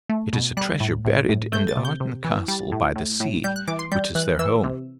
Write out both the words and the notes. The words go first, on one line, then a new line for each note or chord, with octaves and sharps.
It is a treasure buried in Arden Castle by the sea, which is their home.
A3
B2
G3 F#6
A2
A2
A2
A3 G6
A6
C3
G6
C3
E3
G3 A6
A2
A2
A2
G3 G6
F#6
E3 D6
C6
G3 G6
E3 F#6
E3 E6
C3